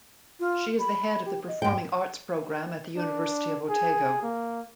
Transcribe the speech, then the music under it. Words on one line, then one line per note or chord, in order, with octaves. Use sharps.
She is the head of the performing arts programme at the University of Otago.
F4
B5
G4
D#5
G#2 G5
D4
G#4
A#3